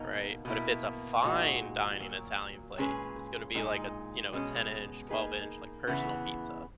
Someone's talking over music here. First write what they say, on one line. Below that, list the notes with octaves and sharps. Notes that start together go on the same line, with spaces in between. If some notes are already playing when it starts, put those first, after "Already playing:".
right? But if it's a fine dining Italian place, it's gonna be like a you know, a ten-inch, twelve-inch, like, personal pizza
Already playing: B2 A#3 D#4
B2 A#3 E4
A#2 G#3 D#4 F#4
A#2 F#3 A#3
A#2 G#3 C#4 G#4 B4
A#2 G#3 D#4
B2 G#3 C#4
A#3 D#4 G#4 B4
C#3 E3 B3 E4